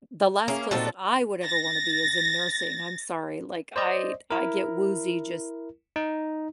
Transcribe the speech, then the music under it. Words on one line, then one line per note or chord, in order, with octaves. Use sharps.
the last place that I would ever wanna be is in nursing, I'm sorry, like, I'd I get woozy just
A#3 C#4 G#4 E5
A#2 C4 D#4 F4 F#4 A4
A6 A#6
C5 D5 D#5
E4 A#4
D#4